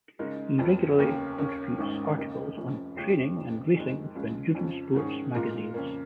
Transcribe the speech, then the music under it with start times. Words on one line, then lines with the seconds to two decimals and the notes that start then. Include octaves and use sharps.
He regularly contributes articles on training and racing for endurance sports magazines.
0.19 C#3 G#3 D#4 A#4
0.58 F1 F2 F3
0.98 F1 D#2 C#3 A#3
1.38 D#2 C#3 A#3 C#4
1.77 G#1 G#2 D#3 A#3 C#4
2.17 F1 D#2 C#3 A#3 D#4
2.57 F1 F2 F3 C#4
2.96 F1 D#2 C#3 G#3 F4
3.36 F1 F2 C#3
3.76 F2 D#3 G#3
4.15 C#2 C#3 G#3
4.55 F2 C#3 F3
4.95 G#2 D#3 C#4 G#4
5.35 A#2 G#3 F4 A#4
5.74 F2 C#3 A#3